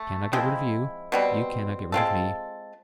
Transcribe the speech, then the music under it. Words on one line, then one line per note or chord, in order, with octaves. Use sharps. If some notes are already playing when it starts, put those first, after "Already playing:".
I cannot get rid of you; you cannot get rid of me.
Already playing: A3
F3 G#3 C4 E4
B2 G3 C4
G#3 C4 F4 A4